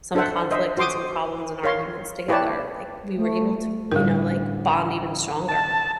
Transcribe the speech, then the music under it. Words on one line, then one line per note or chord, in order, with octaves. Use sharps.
some conflict and some problems and arguments together, like, we were able to, you know, like, bond even stronger.
D4 A4 C5 E5 F#5
C5 D#5 E5
F#4 C5 C6 D6 D#6
A#4 C#5 F5 C6
E4 G4 B4 C#5 D5 A5
A3
A1 D3 G3 A#4
A5